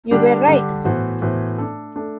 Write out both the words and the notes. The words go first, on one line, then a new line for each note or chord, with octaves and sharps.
You were right!
D3 G3 D4 G4
D3 G3 D4 G4
A2 E3 B3 F#4 C5
A2 E3 B3 F#4 C5
A3 D4 A4
A3 D4 A4